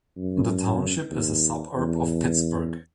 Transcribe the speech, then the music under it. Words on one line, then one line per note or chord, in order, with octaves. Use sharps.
The township is a suburb of Pittsburgh.
F#2
D#2
E2